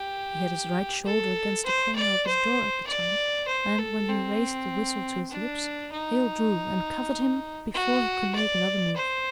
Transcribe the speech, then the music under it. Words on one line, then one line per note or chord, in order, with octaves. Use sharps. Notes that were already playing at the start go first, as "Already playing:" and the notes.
He had his right shoulder against the corner of his door at the time, and, when he raised the whistle to his lips, Hale drew and covered him before he could make another move.
Already playing: G4
A4
C5
D5
C5
D5
C5
A4
C4
D4
D#4
F#4
D5
C5